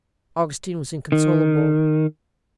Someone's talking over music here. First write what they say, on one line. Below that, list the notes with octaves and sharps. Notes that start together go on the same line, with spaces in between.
Augustine was inconsolable.
D#3